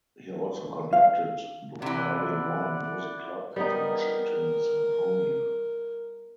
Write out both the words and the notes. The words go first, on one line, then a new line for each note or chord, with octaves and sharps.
He also conducted the Friday Morning Music Club and the Washington Sinfonia.
F5
C3 E3 E4 D5 F#5
G3 B3 D#4 A#4